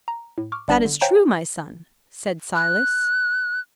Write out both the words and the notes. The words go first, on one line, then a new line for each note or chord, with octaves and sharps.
"That is true, my son," said Silas.
A#5
A2
C#6 D6 F6
G1 G3 B3 D4 D5 E7
D3
C5 C#5 F5 G5 G#5 A#5
F#6